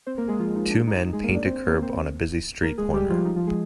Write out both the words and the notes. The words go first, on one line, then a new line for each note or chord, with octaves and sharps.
Two men paint a curb on a busy street corner.
C4 C5
A#3 A#4
G#3 G#4
F3 F4
D#4
D4
D#4
D#4
G#3 G#4
A#3 A#4
D4 D5
C4 C5
A#3 A#4
C4 C5
A#3 A#4
G#3 G#4
G3 G4
F3 F4
D#4
F3 F4
G#3 G#4